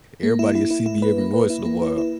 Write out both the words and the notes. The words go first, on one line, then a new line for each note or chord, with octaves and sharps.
everybody will see me every once in a while.
A#3
E4
E4
E4
E4
B4
A#3
B4
E4
A#3
E4
E4